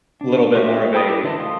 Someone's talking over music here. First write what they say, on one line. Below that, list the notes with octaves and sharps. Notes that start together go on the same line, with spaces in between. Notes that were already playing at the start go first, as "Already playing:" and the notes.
little bit more of a,
D4
F4 G4 D#5 E5 C#6
A4 G5 B5 D#6
E4 G4 A4
D3 E3 D5 D#5 A5
A3 F5 C6 D#6